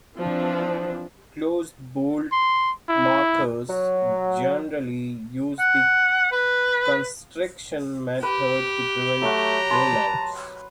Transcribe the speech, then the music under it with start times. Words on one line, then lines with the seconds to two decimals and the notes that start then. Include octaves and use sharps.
Closed bolt markers generally use the constriction method to prevent "roll outs".
0.19 E3 F3 C4 D4
2.32 C6
2.89 E4
3.69 F#3
5.60 F#5
6.32 B4
8.23 G4 B4
9.22 F#3 A3 F#5 A#5
9.70 B4 A5 C6